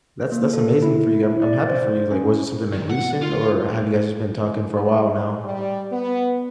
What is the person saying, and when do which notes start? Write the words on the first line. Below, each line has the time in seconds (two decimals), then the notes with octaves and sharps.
That's that's amazing for you, I'm I'm happy for you, like, was it something, like, recent, or have you guys just been talking for a while, now?
0.32 A#3
0.53 A4
0.82 E4
1.23 E4
1.42 D5
1.68 C5
2.11 C#4
2.73 D#3
2.89 F#5
3.21 F4
4.35 E3
4.73 G3
5.43 G3
5.92 B3